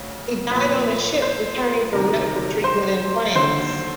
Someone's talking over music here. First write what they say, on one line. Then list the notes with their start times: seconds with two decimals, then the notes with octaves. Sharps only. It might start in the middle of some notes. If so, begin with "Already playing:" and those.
He died on a ship returning from medical treatment in France.
Already playing: D2 C#3
0.51 A#2 F3 A#3 B4 B5
1.22 C5 C6
1.93 D2 C3 D#3 A#4 A#5
2.64 C5 C6
3.35 D#2 D3 F#3 C5 C6